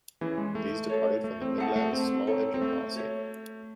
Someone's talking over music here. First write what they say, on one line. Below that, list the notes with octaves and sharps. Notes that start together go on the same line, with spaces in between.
These departed from the Midland's small engine policy.
E3 C#4 E4 G#4
G#3
A3
F#4 A4 C#5
A3
C4
A3 G#4 D#5 F#5 A5
A3
C4
D#4 A4 C#5
C4
A3
F#4 C#5 E5